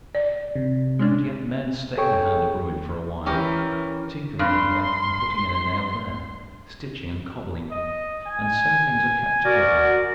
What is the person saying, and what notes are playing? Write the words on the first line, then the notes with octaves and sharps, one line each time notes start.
But yet men stay the hand of ruin for a while, tinkering here and putting in a nail there, stitching and cobbling; and so things are kept together.
D5
C3
G#3 C#4 D4
G#4 A4 C#5 G5 C#6
E3 C#4 G4 A#4
G2 C6
D#5
G#5
F#4 A#4 D5